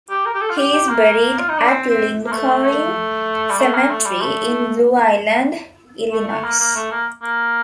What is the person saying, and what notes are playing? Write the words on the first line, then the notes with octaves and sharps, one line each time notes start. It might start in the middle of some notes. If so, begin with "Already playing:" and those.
He is buried at Lincoln Cemetery in Blue Island, Illinois.
G4
A#4
G4
A4
F4
G4
G4
A#3
F4
D#4
D4
C4
C4
A#3
A3
A3
G3
A3
A#3
A3
G3
A3
A3
A3
A#3
A#3
A3
A#3
A#3